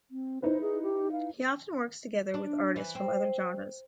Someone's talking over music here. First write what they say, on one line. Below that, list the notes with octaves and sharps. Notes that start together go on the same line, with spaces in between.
He often works together with artists from other genres.
C4
D#4 E4 B4 C5
G#4
G4
F5
D4
E3
C4